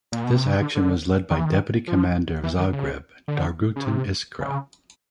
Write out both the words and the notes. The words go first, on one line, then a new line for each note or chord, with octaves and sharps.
This action was led by deputy commander of "Zagreb" Dragutin Iskra.
A#2
B2
C3
C#3
D3
D3
D#3
E3
D#3
F3
E3
D#3
C#3
D3
C#3
C3
C#3